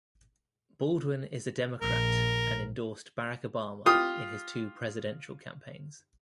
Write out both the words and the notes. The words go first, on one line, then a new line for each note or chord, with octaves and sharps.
Baldwin is a Democrat and endorsed Barack Obama in his two presidential campaigns.
A#1 A#4
F4 G4 D#6